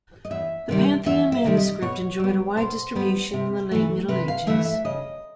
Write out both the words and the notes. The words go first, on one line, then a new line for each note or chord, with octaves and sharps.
The Pantheon manuscript enjoyed a wide distribution in the late middle ages.
D#5
E2 E5
C3 D#3 G3
E2 E5
E5
C3 D#3 G3
D#5
B2 C#5
G3 B3
B2 C5
G3 B3
C3
E3 A3
C3 B4
F5
E3 A3 E5
E5
C#3 D#5